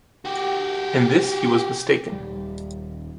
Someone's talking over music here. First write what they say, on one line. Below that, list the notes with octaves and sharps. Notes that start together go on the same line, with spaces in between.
In this he was mistaken.
F#4 G4
D#1 G3